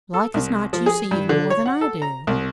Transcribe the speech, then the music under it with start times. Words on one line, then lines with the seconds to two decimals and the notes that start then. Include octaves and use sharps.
"Like as not you see even more than I do!"
0.14 A4
0.34 C2
0.73 F3
0.86 G#4
1.11 G2
1.29 D3
1.50 C#5
1.66 F#5
1.81 A4
2.02 A#5
2.27 C2